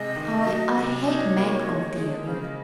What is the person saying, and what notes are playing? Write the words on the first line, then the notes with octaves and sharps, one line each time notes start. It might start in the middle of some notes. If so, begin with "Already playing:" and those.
I--I hate Mag of the Alley.
Already playing: C3 G#3 D#5
D#3
F#3
C3
D#4 C#5 D#5
A#3
G#3
G#3
C#3 C5
D#5